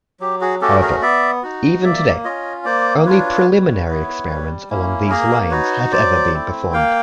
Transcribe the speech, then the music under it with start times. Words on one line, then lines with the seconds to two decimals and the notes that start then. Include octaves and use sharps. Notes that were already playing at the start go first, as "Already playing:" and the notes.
However, even today, only preliminary experiments along these lines have ever been performed.
0.20 F#3 G4
0.41 F#4 G#4
0.61 A3 C#4 F#4 G4 A4
0.82 G#4 A#4
1.02 B3 D5 E5
1.43 D#4 F#4
1.84 A#3 D5 E5
2.24 C#4 F4 C#5 D#5
2.65 A#3 C5 D5
3.06 D4 F4 B4 C#5
3.47 G3
3.88 B3 E4
4.28 G3
4.70 A#3 C#4 E4
5.10 A#3 G#4 A#4
5.51 D#4 F#4 B4 C#5
5.92 F#3 C5 D5
6.33 A3 C4 E4
6.73 A#3 F5 G5